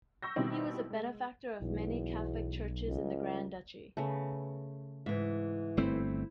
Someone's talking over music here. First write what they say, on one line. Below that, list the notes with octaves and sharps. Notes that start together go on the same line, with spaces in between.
He was a benefactor of many catholic churches in the Grand Duchy.
C#6 E6 G6 A#6
B2 D#3 G3 C4 E4
G#3
B1 E2
C#2
C#3 A3 B3
G#2 E3 E5
G1 A3 C4 E4 C5